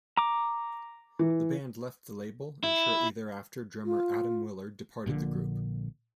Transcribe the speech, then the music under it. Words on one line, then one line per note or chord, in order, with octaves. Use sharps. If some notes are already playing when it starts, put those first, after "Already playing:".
The band left the label, and shortly thereafter drummer Atom Willard departed the group.
A#5 D6
E3
E4
F4
A#1 A#2 D3